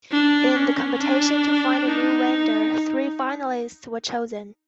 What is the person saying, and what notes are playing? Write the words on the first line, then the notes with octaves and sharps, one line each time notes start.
In the competition to find a new vendor, three finalists were chosen.
D4
C#4
D4
D#4